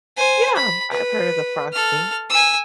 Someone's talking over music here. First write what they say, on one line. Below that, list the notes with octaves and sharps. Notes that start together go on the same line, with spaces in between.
Yeah, I've heard of the frosty.
C5 G#5
B5
B4
A4 F6
G#5 E6